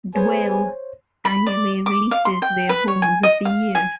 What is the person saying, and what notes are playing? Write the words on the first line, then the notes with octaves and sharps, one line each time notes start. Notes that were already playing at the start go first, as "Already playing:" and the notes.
"Dwell" annually releases their homes of the year.
B3 G#4 C5 C#5 G#5
B5
D5
D6
F5
C6
G5
B4
C#5
G#5
D#5
F5
G#5